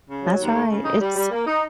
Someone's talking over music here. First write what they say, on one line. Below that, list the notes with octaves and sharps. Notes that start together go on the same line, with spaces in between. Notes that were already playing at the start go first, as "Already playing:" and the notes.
That's right, it's
C#3
F#3
D#2
A3
C#3
D#4
G3
G3
A#3
D#4